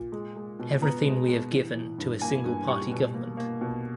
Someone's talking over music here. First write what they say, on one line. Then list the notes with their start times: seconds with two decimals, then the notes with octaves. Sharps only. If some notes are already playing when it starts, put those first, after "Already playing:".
Everything we have given to a single party government.
Already playing: A#2
0.12 G#3
0.36 G#3
0.59 B2
0.82 B3 A#5
1.05 G#3
1.29 B2
1.52 E3
1.75 E3
1.98 G2
2.22 A#3 G#5
2.45 G2
2.68 G3 C#6
2.91 B2
3.14 A#3
3.37 A#3
3.61 B2